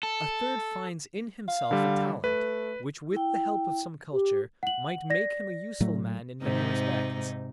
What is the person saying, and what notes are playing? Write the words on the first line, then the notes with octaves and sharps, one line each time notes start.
A third finds in himself a talent which with the help of some culture might make him a useful man in many respects.
A4
F5
D3 G3
A3 B4
E4 G5
G4
F#5 F#7
D5 A#6
A2 F#3 A3
G#2 C3 D#4